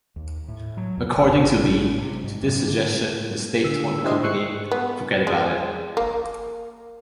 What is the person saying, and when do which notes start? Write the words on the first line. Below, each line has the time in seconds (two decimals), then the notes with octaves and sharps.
According to Lee, to this suggestion the state told the company, "Forget about it".
0.16 D#2
0.48 A2
0.77 F#3
0.97 E2
1.16 G1
1.36 A1
1.99 C3
2.24 G#2
2.43 F#2
2.62 D3
3.64 D3 E6
4.03 D4 E4 G4 C5 D#5 C6
4.23 C#6 E6 F#6 C7 C#7
4.71 B3
5.27 G#3
5.97 A#3